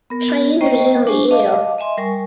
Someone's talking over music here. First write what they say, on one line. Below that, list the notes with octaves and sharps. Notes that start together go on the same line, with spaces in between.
Change is in the air.
B3 A#4
A#3 C5 D#5 G5 C#6
D4 C5 G#5 C#6
D#5 F5 A5 D6
D#5 E5 G#5 C6
G3 A#4 G#5 C#6